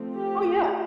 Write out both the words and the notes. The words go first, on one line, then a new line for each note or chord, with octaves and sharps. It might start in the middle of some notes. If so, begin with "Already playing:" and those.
Oh, yeah.
Already playing: F3 A3 C4
G4